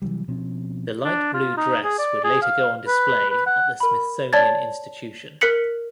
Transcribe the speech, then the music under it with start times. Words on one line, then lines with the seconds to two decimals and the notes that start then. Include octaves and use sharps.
The light blue dress would later go on display at the Smithsonian Institution.
0.02 C3 E3 F#3 G3
0.28 B2 F3 C4 C#4
1.04 D4
1.34 F4
1.57 D#4
1.84 G#4
1.98 D5
2.24 G#4
2.42 F5
2.87 B4
3.30 B4
3.46 F#5
3.80 A#4 B5
4.33 C#5 D5 A5 G#6 A6
5.41 A#4 F#6 B6 C#7 F#7